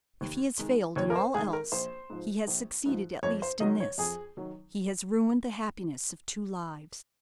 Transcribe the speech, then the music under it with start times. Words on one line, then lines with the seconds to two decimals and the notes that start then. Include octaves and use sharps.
If he has failed in all else, he has succeeded at least in this: he has ruined the happiness of two lives.
0.21 D#2
0.59 D#3 G#3
0.96 D#2 C#5
1.10 A#4
1.16 C5
1.34 D#3 G#3 G#4
1.53 A#4
1.72 A#1 C5
2.10 G#2 F3
2.48 A#1
2.86 G#2 F3
3.23 F2 C#5
3.42 C5
3.60 D#3 F#3 D#5
3.80 C#5
3.98 F2 G#4
4.37 D#3 F#3